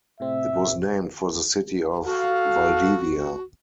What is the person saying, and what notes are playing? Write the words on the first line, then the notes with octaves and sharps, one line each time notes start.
It was named for the city of Valdivia.
A2 C3 C4 E5
F#4 A4 F5